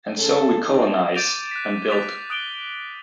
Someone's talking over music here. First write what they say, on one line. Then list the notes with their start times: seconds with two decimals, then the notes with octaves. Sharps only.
And so we colonize, and build.
0.17 C#3 A4
0.64 F2 F3 G#3 C4 D#4 A4
1.15 D6 G6 A6 D7 D#7 F7
1.51 F#6 B6
1.91 D#6 A6 B6 F7
2.30 D#6 F#6 D7 F7 G7